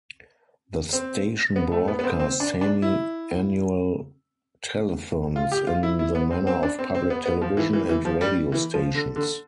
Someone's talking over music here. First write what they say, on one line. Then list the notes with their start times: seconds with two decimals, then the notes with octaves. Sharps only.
The station broadcast semi-annual telethons, in the manner of public television and radio stations.
0.93 C4
1.56 B3
1.72 A3
1.88 B3
1.99 B3
2.03 C4
2.19 C4
2.40 D4
2.61 D4
2.82 E4
5.36 F4
5.52 G4
5.67 F4
5.83 E4
5.99 E4
6.15 B3
6.31 C4
6.47 C4
6.63 D4
6.79 C4
6.95 C4
7.10 B3
7.26 B3
7.42 F3
7.57 E3
7.73 E3
7.89 E3
8.05 F3
8.21 G3
8.52 E3
8.74 F3
8.95 D3
9.16 D3